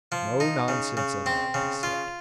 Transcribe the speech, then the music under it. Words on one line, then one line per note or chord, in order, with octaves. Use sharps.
"No nonsense at all," he said.
F3
D#4
C#3
C#3
C4
C#3
F4